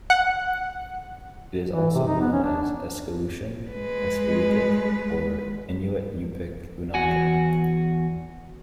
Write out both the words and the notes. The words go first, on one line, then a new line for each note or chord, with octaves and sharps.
It is also known as "Eskaleutian", "Eskaleutic", or "Inuit-Yupik-Unangan".
F#5
E3
C3
D#4
B3
C#4
D4
G#3 B4
E2 F#4 G#5